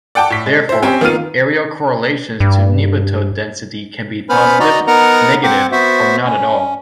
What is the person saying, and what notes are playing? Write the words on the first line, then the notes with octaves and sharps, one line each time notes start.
Therefore, aerial correlations to nematode density can be positive, negative or not at all.
D5 F#5 G5 A5 D6
A2 B6
G#3
E4 C5
C4 C#4 G4 G5 G#5
D#3 A#3 B3 F4 F6 D#7
G2
B3 C#4 B4 C5 B5 F6
D#4 F#4 D5 D#5 A#5
B3 D#4 A#4 F#5 A#5
C4 C5 F#5 D6
B3 F#4 C5 E5
C#4